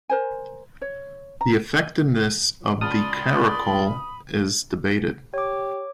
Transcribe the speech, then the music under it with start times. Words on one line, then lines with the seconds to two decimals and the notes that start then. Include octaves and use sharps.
The effectiveness of the caracole is debated.
0.09 A#4 C5 G#5
0.82 C#5
1.41 A#5
2.81 C#2 D5 A5 B5 C6 D#6 F6
5.34 G4 C#5 D6